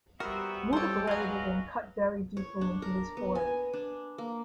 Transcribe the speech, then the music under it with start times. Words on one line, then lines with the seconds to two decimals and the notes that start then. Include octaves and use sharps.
Muta bladed and cut very deeply into his forehead.
0.20 G3 B3 F#4 A#4 C5 E5
0.73 G3 G4 A4 C5 C#5
1.07 F#3 G#3 G#4 B4 F5 A#5
2.37 C#5
2.61 D4
2.82 A#4
3.17 B3
3.35 G#5
3.73 D4
4.18 A#3